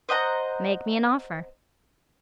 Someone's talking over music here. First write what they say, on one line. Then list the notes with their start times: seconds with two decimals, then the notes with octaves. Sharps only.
"Make me an offer."
0.09 C5 D#5 F#5 A#5